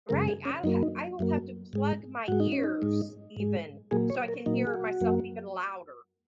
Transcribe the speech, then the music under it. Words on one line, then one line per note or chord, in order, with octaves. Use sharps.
Right, I'll ha I will have to plug my ears even, so I can hear myself even louder
F#2 C#3 G#3 A#4
G#4
C#4
F#2 F#3 A#3 D#4
D#4
F#2 F#3 A#3
G#2 G#3
G#2 G#3 F#4
D#4
C#4
D#4
G#2 G#3
G#2 G#3
A#2 F#3 A#3 G#4
C#5
A#4
A#2 F#3 A#3 D#4
G#4
F#4
F#2 F#3 A#3